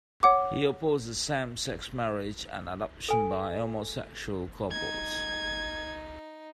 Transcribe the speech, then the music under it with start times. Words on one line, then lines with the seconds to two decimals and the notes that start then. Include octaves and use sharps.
He opposes same-sex marriage and adoption by homosexual couples.
0.23 C#5 F#5 D6
3.09 A4 G#5
4.71 D#4 G#6